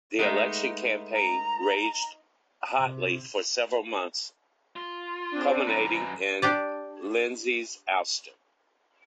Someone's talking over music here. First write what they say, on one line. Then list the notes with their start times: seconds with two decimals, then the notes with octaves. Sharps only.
The election campaign raged hotly for several months, culminating in Lenzi's ouster.
0.19 G#3 A3 B3 D#4
1.13 A#5
2.75 C3
4.76 F4
5.31 C4 D4
5.67 F#2 B4 A#5
6.42 D4 G4 D5